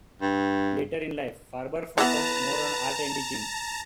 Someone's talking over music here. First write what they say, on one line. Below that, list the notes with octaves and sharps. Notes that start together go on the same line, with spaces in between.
Later in life, Farber focused more on art and teaching.
G2
E3 B3 B4 A5 A#5